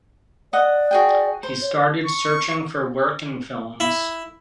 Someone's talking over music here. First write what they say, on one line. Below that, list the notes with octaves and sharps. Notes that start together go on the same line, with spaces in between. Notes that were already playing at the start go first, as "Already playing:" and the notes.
He started searchimg for work in films.
D5 D#5 F#5
F#4 G#4 G5
C5
C#5
C#6
E4